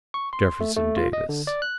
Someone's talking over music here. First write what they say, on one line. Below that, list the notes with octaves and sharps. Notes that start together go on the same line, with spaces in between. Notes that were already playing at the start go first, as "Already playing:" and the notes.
"Jefferson Davis."
C#6
C6
A3
A3
F4
D#5
D3
D5
F#6